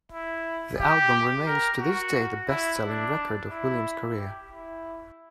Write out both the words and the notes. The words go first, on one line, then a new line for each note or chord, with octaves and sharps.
The album remains, to this day, the best-selling record of Williams' career.
E4
G4
A#4
F#4
E4
D4
E4
G4
E4